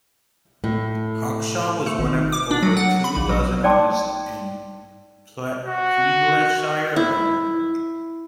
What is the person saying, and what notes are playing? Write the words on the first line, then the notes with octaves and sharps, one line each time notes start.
Hawkshaw was one of over two dozen of these in Peeblesshire alone.
A2
A3
G#1
D6
D4
F#3
F#5
B5
A#1
F#3
D#4 D5 G5 A5 C6 D6
F#4
E4